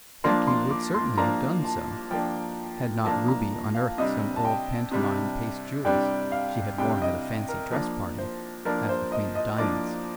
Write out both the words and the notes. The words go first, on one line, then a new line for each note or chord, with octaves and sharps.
In fact he would certainly have done so, had not Ruby unearthed some old pantomime paste jewels she had worn at a fancy dress party as the Queen of Diamonds.
F3 A#3 D4 C6
C6
D6
C6
F3 A#3 D4 A#5
A5
F3 A#3 D4 G5
F3 A#3 D4 A5
A#5
F5
C3 G3 D4 D#5
A5
G5
C3 G3 D4
C3 G3 D4 G5
F5
C3 G3 D4 G5
D#5
A#4
F3 A#3 D4
C5
F3 A#3 D4 A#4
C5
D#5
D#5
F3 A#3 D4 D5